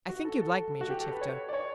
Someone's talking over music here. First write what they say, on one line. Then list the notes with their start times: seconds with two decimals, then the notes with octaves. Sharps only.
I think you'd like Major Tifto.
0.09 F#4
0.25 A4
0.42 A4
0.81 F#4
0.90 G4
1.00 A4
1.11 B4
1.21 C#5
1.49 D5
1.53 C#5